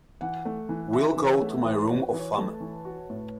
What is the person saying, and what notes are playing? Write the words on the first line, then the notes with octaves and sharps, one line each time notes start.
We'll go to my room of fun.
E3 F#5
A3
E3
F#4 E5
E3 B4
C#5
A3
E3 B4
C#5
F#4
E3 B4
C#5
A3 A5
E3
F#4
A2